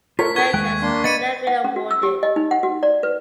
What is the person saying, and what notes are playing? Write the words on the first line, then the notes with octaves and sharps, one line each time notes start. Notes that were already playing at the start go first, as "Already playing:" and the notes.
The rank has never been awarded.
F4 A4 A#4 C#5 B6
A4 C#6 G#6 G7
D#2 G#3 G5 F#6
A#3 D4 C6
B3 D#5 B5 A6 C#7 D#7
F#5
C#4
F#4
E6
G4
D#5
D#4
F#5
F#4
D5
B4